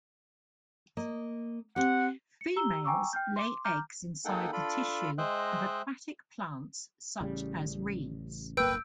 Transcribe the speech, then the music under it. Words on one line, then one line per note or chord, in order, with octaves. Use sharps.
Females lay eggs inside the tissue of aquatic plants such as reeds.
A#3 D#5
C4 G4 F#5
C#7
G4 A#5 E6 G7
G5 G#5 A#5 C#6 D6 E6
G5 F6 G6
C6 D6
A#5 D6 F6 G6
A#3 D#4 G#4 A4 F#5 G5
D4 F4 A4 B5
G#3 C5 D#5 E5 G5 F#6
A1 C#3 G3
D1 G1 A#3 B4 G5 E6 G6 D7